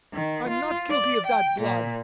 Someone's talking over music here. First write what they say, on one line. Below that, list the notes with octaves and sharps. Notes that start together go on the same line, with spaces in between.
I'm not guilty of that blood!
D#3
F4
D5
G5
A#2